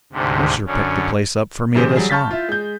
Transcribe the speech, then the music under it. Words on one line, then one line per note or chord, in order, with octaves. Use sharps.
Mercer picked the place up for me at a song.
D2 G#2 C3
F#2 D3 C#4
D1 A1 C#3 G4 C5
F#3 G3 G#4
A5 C#6 F6 G6 A6 B6
E4 F4
G#3 G6